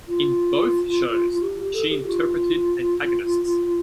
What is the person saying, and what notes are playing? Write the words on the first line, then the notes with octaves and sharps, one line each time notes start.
In both shows she interpreted antagonists.
F4
G4
A4
G4
F4